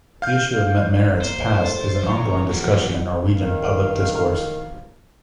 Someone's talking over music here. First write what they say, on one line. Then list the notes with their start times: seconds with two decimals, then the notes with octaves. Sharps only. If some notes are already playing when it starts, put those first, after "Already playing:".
The issue of Mette-Marit's past is an ongoing discussion in Norwegian public discourse.
0.22 F5 G6
1.21 E2 A#3 A#4 C5
1.60 A2 C6 A6
2.04 E2 E3 F3 C#5 A#5
2.51 F#3 G3 A#3 F#5
3.37 D#3 F5